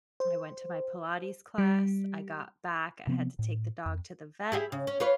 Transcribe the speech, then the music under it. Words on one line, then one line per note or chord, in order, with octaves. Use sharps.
I went to my Pilates class, I got back, I had to take the dog to the vet,
C5
G3
C3 F3 B3 C4
A2
F2
E4 G4 G#4
C#3
C#4
F4 B4 C#5